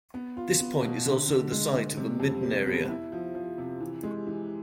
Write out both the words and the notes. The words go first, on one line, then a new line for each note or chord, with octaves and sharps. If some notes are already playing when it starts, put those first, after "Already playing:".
This point is also the site of a midden area.
B3
F4
B3
B2
D3
D3
G#3
G#3
C3
F2
C3
B3
E4
F3
F3
C3
E3
G#3
E3